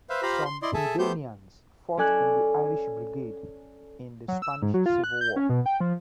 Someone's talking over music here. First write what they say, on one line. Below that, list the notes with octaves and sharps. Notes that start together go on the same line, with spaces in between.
Some Hibernians fought in the Irish Brigade in the Spanish Civil War.
B4 C5 E5 F5
F4 G4 C5 F5 A#5 B5
C6
E4 D5 D#5 C6
G#4 A4 E5 A5
A3 B3 G4 C5 G6
C#4 A4 D5 G#5 F#6 E7
F#3
E6
G#2
F#3
F4
F#6
G6
C#4
B2
G5
F3